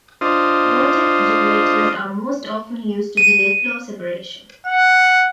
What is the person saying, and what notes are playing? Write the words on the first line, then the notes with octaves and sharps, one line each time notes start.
Vortex generators are most often used to delay flow separation.
D4 F4 C5 D#5
D#7
F#5